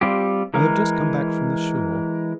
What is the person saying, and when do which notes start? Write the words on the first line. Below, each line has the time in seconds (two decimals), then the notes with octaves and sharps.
I have just come back from the shore.
0.01 G3 C4 F4 G4
0.54 E3 G#3 A#4